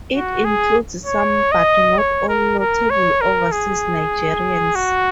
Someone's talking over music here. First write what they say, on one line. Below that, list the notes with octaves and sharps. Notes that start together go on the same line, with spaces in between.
It includes some but not all notable overseas Nigerians.
F#4
G#4
C#5
D#5
C#5
A#4
A#4
C#5
A#4
G#4
F#4